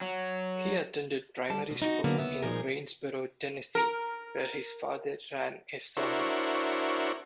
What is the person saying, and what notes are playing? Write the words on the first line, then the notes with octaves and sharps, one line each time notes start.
He attended primary school in Waynesboro, Tennessee where his father ran a sawmill.
F#3
G3 A5
D2 B2
D#4 F4 F#4
D3 F#3 A#3 B3
D#2 C#3 B3 E5
A#2 F3 G3 D#4 G#4 A#4
A#4
D4 E4 F#4 A#4 C5 C#5